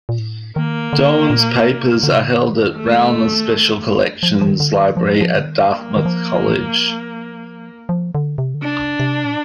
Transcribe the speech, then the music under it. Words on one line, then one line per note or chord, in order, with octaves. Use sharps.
Doan's papers are held at Rauner Special Collections Library at Dartmouth College.
A#2
A2
D#3 A#3
D3
A#2
C3
D3
C3
D3
D#3
A3
F3
F3
D#3
D3
D#3
F3
F3
D3
D#3
A#3
D#3
F3
F3
D3
C3
D3
C3 D4
C3
A#2